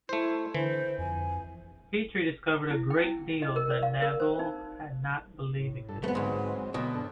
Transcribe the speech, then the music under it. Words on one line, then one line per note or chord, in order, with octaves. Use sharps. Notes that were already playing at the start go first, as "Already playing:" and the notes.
Petrie discovered a great deal that Naville had not believed existed.
A3 E4 C5
D3 E3 C5
F2 G#5
E4
G5
E4
D#5
A#4
D5
F5
A#4
C5
D#4
A2
G2 A4
F#3 G#3 A3 B3 C4 B4
D2 G#2
D2 B2 F#3
G2 D4 A4